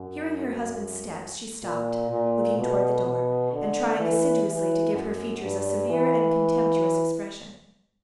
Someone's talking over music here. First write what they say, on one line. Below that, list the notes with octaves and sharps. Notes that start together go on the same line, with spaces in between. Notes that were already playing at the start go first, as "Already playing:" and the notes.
Hearing her husband's steps, she stopped, looking towards the door, and trying assiduously to give her features a severe and contemptuous expression.
Already playing: F#2
A#2
A#2
B2
B2
D3
E3
E3
F#2
G2
E3